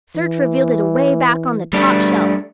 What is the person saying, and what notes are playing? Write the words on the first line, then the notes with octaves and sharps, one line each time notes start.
Search revealed it away back on the top shelf.
E3
G3 A3 D4